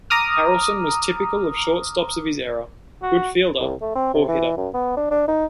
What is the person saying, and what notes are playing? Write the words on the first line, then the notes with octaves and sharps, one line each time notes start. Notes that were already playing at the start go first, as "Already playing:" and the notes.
Harrelson was typical of shortstops of his era: good fielder, poor hitter.
A#5 D6 D#6 F6
F#4
C2
A3
C4
C3
E3
F#2
B3
D4
D4
D#4